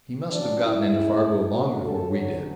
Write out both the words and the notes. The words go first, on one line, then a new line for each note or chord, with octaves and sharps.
He must have gotten into Fargo long before we did.
A2 F#3 C#4 D4
E4
A2 G#3 C#4
F#2 D3 A3 C#4 F#4
A4
D2 D3 F#3 C#4 C#5